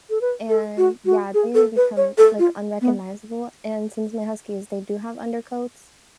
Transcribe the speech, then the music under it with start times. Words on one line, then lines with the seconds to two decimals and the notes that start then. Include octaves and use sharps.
and yeah, they become, like, unrecognizable, and since my huskies, they do have undercoats,
0.10 A4
0.21 B4
0.49 A4
0.77 F#4
1.06 F#4
1.34 G#4
1.55 A4
1.76 B4
1.97 C#5
2.18 A4
2.39 F4
2.81 B3